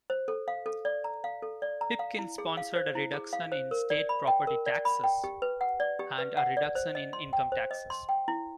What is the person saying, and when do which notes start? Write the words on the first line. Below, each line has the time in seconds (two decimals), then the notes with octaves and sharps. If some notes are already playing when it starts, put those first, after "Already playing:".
Pipkin sponsored a reduction in state property taxes and a reduction in income taxes.
0.10 C5
0.28 A4
0.48 F5
0.66 A4
0.85 D5
1.04 A#5
1.24 F5
1.42 A4
1.62 D5
1.81 A#5
1.99 F5
2.19 E4
2.38 G#4
2.57 F5
2.76 C5
2.95 E4
3.14 G#4
3.33 F5
3.52 C5
3.71 A#4
3.90 D5
4.09 B5
4.27 G5
4.47 A#4
4.66 D5
4.85 B5
5.04 G5
5.24 G4
5.42 B4
5.61 F#5
5.80 D5
5.99 G4
6.18 B4
6.37 F#5
6.57 D5
6.75 C5
6.95 D#5
7.13 C6
7.33 G5
7.52 C5
7.71 D#5
7.90 C6
8.09 G5
8.28 E4